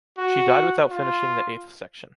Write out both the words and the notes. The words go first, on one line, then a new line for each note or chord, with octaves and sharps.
She died without finishing the eighth section.
F#4
F4